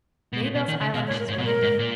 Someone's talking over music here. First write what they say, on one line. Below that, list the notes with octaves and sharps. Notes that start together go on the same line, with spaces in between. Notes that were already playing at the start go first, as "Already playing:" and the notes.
Maybelle's eyelashes won the day.
B2
A#2
B2
D#3
C#3
B2 F5
C#5
A#2
A#4
G#2
C#5
B2
A#2 A#4
G#2
A#2